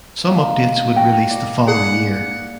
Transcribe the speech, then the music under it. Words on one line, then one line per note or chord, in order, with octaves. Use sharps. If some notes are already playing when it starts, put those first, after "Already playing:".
Some updates would release the following year.
G#2 A#3 A#5
F#4 G5
D5
G#4 F#5
F#5